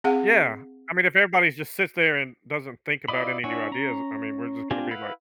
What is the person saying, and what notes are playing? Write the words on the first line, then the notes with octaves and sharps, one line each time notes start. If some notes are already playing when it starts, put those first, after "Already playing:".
Yeah. I mean if everybody's just sits there and doesn't think about any new ideas, I mean, we're just gonna be like
C4 G#4 F5 F#5
E4 F4 D5 D#5 B5
D4 E4 C#5 F#5 G#5
C#4 A#5
C4 D4 F4 G4 G#5
E4 B4 F5 F#5